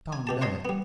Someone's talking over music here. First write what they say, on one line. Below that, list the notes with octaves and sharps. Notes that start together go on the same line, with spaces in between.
Tom done it.
G#5
B2 G4 A5
C5 C#5 D#5 A5 C6
G3 B3